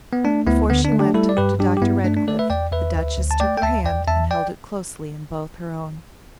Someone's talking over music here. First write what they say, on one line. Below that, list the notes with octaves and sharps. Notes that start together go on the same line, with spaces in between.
Before she went to Dr. Redcliff the Duchess took her hand and held it closely in both her own.
B3
A3 D4
D2 B3 E4
D3 B3
D4
A3
D4 G4
G3 E4 A4
D5
G2 G4 B4
G3 D4 G4
G4
G2 B3 E4
A3 D4
D4
A3 A4 D5
B4 E5
E2 D5 G5
E2 B4 E5
D2
D2
A5
A3 D5 G5
G5
D2 E5 A5
E2 D5 G5
E2 E5 A5
D5 G5